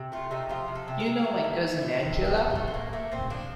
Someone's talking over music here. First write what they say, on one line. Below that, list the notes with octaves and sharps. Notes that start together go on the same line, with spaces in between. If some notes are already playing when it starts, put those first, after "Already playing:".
You know my cousin Angela?
Already playing: C3
A3 F4
C3 D#4
F3 F4
C3
A4
C3
A#4
C3
A3
A2
A3
A2
A#4
C3 A4
C3
G4
A3
F4
A3
C4
A#2 A#3
A3 A#3
A#2 C4
F3 D4